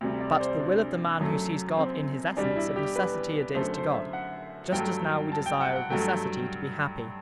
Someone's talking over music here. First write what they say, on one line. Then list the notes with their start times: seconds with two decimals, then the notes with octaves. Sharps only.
But the will of the man who sees God in His essence of necessity adheres to God, just as now we desire of necessity to be happy.
0.01 D2 C3 G3
0.21 D5
0.32 D5
0.40 C5
0.60 D4
1.19 F#2 F#3 A3
1.77 C4
2.37 E2 B2 G3 D4
2.56 E4
2.76 G4
2.96 B4
3.54 F#2 D3 A3 C5
3.74 C5
3.94 E5
4.13 F#5
4.72 G2 F#3 A3 G5
5.32 A5
5.46 G5
5.61 F#5
5.76 F#5
5.90 G2 F#3 A3 G5